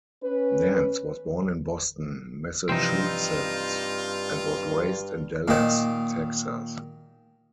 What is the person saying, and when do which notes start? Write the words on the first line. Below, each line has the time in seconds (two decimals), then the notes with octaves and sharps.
Nance was born in Boston, Massachusetts and was raised in Dallas, Texas.
0.22 C#4 B4
2.69 G2 C3 E3 F3 C4 D#4 F4
5.48 A#2 D#3